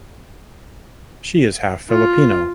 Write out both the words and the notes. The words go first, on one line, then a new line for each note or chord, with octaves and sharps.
She is half Filipino.
F4